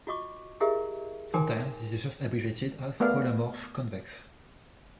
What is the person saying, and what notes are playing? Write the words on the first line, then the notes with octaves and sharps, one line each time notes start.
Sometimes this is just abbreviated as "holomorph-convex".
F4 F#4 D#5 C#6 D6
E4 G4 G#4 A#4 D#5 E5
D#4 A#4 G5 G#5 C6 D6
A3 B3 A#4 D5 F5